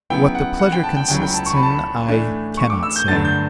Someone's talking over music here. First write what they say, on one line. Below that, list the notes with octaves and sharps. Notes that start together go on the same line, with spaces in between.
What the pleasure consists in I cannot say.
C#3 F#3 B3 E4 G5
F#5
F#5
G5
A5
G5
C#2 C#3 F#3 C#4 E4 G5
G5
A5
C#6
B5
A5
B5
A2 E3 A3 D4
C#6
D6
E6
G6
G2 D3 F#3 A3 D4 A6
G6